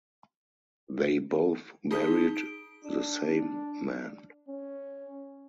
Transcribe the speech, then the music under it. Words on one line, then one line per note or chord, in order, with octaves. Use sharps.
They both married the same man.
D#4 G#4 A5 D#6 B6 G7
D7
D4
C#4